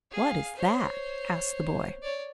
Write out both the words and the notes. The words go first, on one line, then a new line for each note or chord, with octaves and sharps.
"What is that?" asked the boy.
G#4 F5
C5 C#5
C#5 D5